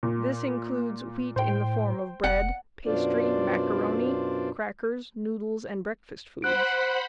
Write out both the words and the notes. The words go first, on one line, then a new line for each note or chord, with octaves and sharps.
This includes wheat in the form of bread, pastry, macaroni, crackers, noodles, and breakfast foods.
A#2
A2 C5 G5
F1 F#5
F#2 B2 D4 F4 C5 D5
C5 F#5 B5 F#6 D7